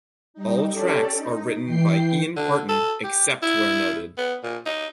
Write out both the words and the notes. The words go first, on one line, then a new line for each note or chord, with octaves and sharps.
All tracks are written by Ian Parton except where noted.
G3 D#4
C#4 G4 A4 D5
D#4
E3 G5 C7
D3
A4
G4
E4
B3
A#2
D#4